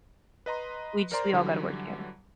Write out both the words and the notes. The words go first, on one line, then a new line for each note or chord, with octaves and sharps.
We just we all gotta work together.
B4 D#5 A#5 C6
A#4 C5 D5 A#5 C6
D3 E3 F#3 G3